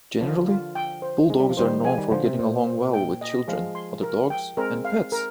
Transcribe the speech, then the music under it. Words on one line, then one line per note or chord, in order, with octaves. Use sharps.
Generally, Bulldogs are known for getting along well with children, other dogs, and pets.
D3 F3 F4
F4
G5
C5
G#3 D#4
G3
F3
D#3 G3 C5
F3 G#3 G#5
D#3 G3
D3 F3 C5
C3
A#2 C5
C5
G5
D#5
F3 G#3 F5
C6
A#4
G5
G#3 C4 A#4
F5
A#4